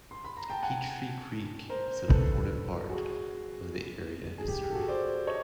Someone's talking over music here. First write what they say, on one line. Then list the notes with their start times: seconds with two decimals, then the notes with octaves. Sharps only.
Peachtree Creek is an important part of the area history.
0.11 C6
0.25 B5
0.37 A#5
0.50 G5 A5
0.63 F#5 G#5
1.69 A#4 C5
2.09 A4 B4
2.89 F#4 G#4
4.38 G#4
4.48 G4
4.62 G4
4.70 A4
4.75 F#4 G#4
4.88 C5 D5
5.27 C#5 D#5